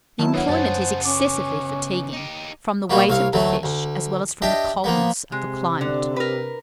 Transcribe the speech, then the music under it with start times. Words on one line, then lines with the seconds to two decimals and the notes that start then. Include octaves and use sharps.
The employment is excessively fatiguing, from the weight of the fish as well as from the coldness of the climate.
0.19 D#3 F#3 E4 A5
0.34 C3 A#3 B3 D4 C#5 F#5
0.49 F#2 C#3 B3 C5 F#5 A5 A6
1.05 C#4 D6
2.13 D#4 G4
2.90 B2 G3 A#3 F#4
3.08 C2 C#5 F5
3.33 D2 F#3 A3
3.63 D2
4.42 D4 G4 D#5 E5
4.84 F3 A#3 B3
5.32 C3 G#3
5.81 D3
6.16 A#4 B4